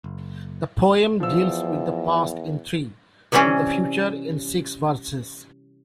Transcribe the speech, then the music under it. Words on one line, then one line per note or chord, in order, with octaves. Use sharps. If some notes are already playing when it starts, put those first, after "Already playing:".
The poem deals with the past in three, with the future in six verses.
F#1
E2 F3 E6
C3 E3 G3 C4 C#4